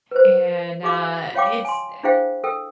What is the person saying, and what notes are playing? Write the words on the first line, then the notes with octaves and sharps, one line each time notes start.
and, uh, it's eh,
B4 C5
F#4 G#4 F5 D6
F4 C#5 F5 G5 D6
G#5 C6
D4 E4 G#4 C5 F5 G5
A4 G5 E6